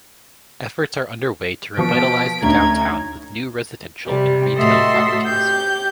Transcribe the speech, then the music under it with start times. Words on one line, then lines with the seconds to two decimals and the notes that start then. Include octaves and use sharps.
Efforts are underway to revitalize the downtown with new residential and retail properties.
1.77 B2 F3 C#6 B6 D7
2.43 D2 C#4 D#4 A#5 G#6
4.06 C3 G3
4.58 A2 F#4 A4 D#5 E5 C6
5.24 G4 G6